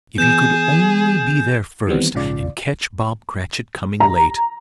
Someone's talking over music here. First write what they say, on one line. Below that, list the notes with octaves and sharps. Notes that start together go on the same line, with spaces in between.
If he could only be there first, and catch Bob Cratchit coming late!
E3 B3 G#4 G6 E7
D#3 E3 G3 B3 C4
A#1 G#2 C#3 F4 D5
A#5